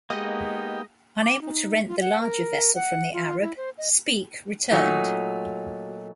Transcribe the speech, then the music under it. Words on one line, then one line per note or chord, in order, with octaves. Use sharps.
Unable to rent the larger vessel from the Arab, Speke returned.
G#3 A#3 B3 D#4 G4 D#5
D6
D#4
F4
F#5
A#4
F#5
F4
E4
C5
D#5
A#2 F#3 A3 D#4